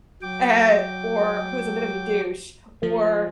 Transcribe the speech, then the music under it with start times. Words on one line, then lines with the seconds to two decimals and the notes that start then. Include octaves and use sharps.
and or who's a bit of a douche, or
0.22 F#3 G5 D6
2.83 F3